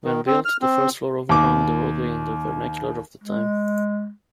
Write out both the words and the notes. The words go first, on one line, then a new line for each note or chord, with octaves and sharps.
When built, the first floor overhung the roadway in the vernacular of the time.
D#3
C4
F6
C4
D#2 D6
G#3